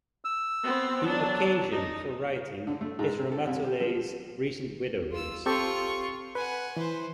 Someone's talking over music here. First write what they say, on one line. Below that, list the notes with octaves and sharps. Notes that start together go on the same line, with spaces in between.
The occasion for writing is Ramatoulaye's recent widowhood.
E6
B3 C4
F#3 D4
D#4
D3
A3
G#2
C4
A4
C2
G4
F3
F4 E6
C4 F4 G4 A4 C#6
B4 F#5 G#5
E3 B4 C5